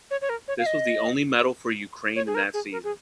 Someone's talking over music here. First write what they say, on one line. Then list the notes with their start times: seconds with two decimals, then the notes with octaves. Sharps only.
This was the only medal for Ukraine in that season.
0.11 C#5
0.22 C#5
0.29 A#4
0.48 C#5
0.59 F5
0.66 D#5
2.16 C#5
2.27 G#4
2.35 A#4
2.54 G#4
2.72 A#4
2.84 G#4